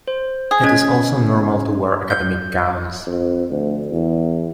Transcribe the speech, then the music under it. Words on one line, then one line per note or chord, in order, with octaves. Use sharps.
It is also normal to wear academic gowns.
C5
G#4
G#3 C#4 G#6
G6
F2
D2
E2